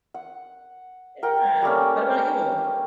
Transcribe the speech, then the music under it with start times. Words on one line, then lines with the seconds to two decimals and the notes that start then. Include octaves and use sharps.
Yeah, what about you?
0.14 F#5
1.23 A#4 F#5 G5
1.62 G3 A3 A#3 C#4